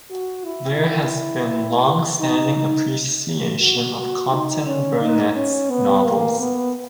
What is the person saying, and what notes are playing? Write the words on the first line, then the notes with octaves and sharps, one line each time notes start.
There has been longstanding appreciation of Compton-Burnett's novels.
F#4
E4
D#4
D#4
F#4
F#4
D#4
C#4
D#4
C#4
B3
A#3
B3